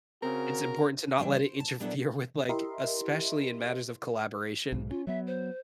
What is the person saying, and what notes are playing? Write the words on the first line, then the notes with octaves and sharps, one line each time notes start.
It's important to not let it interfere with, like, especially in matters of collaboration,
C#3 C4 F#4 A#4
E3 G3 A#3 C4 D4
C5
A5
A#2 F#3 B3 D4 E4 A4
E4 G4 A#4 D#5 E5 C6
B1 G#2
C#4 F4
F#3 B3 E5
C5